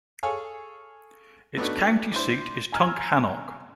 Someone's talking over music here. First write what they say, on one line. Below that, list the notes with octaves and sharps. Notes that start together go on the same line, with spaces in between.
Its county seat is Tunkhannock.
G#4 A4 C#5 F5 G#5
A3 B3 D4 D#4 F#4
D4 E4 C5
G#5 A#5 E6 F6 G#6